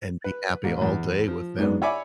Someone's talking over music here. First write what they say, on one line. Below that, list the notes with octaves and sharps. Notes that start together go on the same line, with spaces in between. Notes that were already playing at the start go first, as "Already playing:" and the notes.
and be happy all day with them
B4
A1
E2
F3
G#2 G#3 B3 D4
C#5 D5 E5 G#5 B5 D6